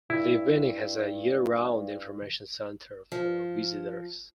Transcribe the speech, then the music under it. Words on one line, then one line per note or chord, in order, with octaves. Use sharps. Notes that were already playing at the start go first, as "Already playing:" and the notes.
Lee Vining has a year-round Information Center for visitors.
G2 E4
F3